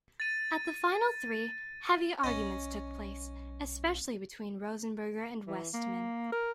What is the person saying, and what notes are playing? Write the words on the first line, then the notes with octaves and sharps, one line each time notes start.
At the Final Three, heavy arguments took place, especially between Rosenberger and Westman.
A6 D#7
B1 C#4 D#5
E3
A#3
A#4